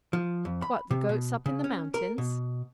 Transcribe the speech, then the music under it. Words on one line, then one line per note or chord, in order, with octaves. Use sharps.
"What, the goats up in the mountains?"
F3
F2
B5
C3
B2
C#3
C#4
A#4
B2